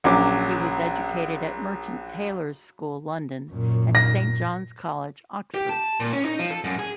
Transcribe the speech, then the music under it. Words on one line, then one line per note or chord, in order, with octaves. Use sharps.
He was educated at Merchant Taylors' School, London and Saint John's College, Oxford.
A#1 F#3 C#4 D6
F#2 A#2
A#6
G4
A5
A#2
C#4
D#4
F3
A4
F#2
G#4